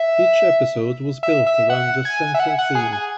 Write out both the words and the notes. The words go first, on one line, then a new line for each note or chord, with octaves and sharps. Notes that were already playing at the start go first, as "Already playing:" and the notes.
Each episode was built around a central theme.
Already playing: E5
E5
E5
F#5
G#5
E5
F#5
F#5
G#4
G#4